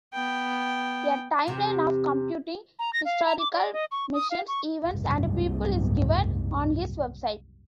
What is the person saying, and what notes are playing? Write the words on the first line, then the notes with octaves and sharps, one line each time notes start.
A timeline of computing historical machines, events, and people is given on his website.
B3 G5
E2 C3
A#5
A#6
F5
A#5
D6
D5
D#5
C#6
D#6
F5
C#6
F#1 C2 G#2